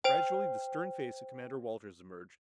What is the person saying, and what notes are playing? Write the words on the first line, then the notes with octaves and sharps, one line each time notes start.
Gradually the stern face of Commander Walters emerged.
C5 G5